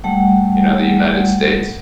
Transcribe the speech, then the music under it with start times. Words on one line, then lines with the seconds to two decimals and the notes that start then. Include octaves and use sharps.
you know, t he United States.
0.04 G3 A3 F#5